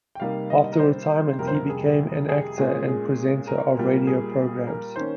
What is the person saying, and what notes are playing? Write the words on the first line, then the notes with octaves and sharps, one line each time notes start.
After retirement, he became an actor and presenter of radio programs.
G5
C3 G3 A#3 D#4 F5
D#5
A#4
C5
F2 C3 G3 A#3 A#4
C5
A#4
G#4
G#4
A#2 G#3 C#4
G#4
A#4
A#2 G3 A#3
G#4
A#4
D#3 A#3 C#4 C5